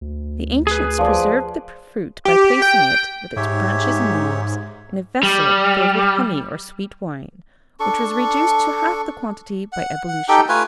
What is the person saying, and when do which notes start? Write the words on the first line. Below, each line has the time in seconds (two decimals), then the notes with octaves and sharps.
The ancients preserved the fruit by placing it, with its branches and leaves, in a vessel filled with honey or sweet wine, which was reduced to half the quantity by ebullition.
0.01 D2
0.67 G#4 B4
0.98 F3 D5
2.25 G4
2.62 G5
3.36 G#2 G4 C#5 E5
5.23 G3
7.80 D4 A4 C#6
9.72 F#5
10.08 F#5
10.28 D#4 G4 A4 G5
10.49 A3 F4 B4 G#5